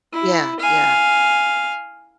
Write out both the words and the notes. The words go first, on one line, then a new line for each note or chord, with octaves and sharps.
Yeah, yeah.
E4
F5 G#5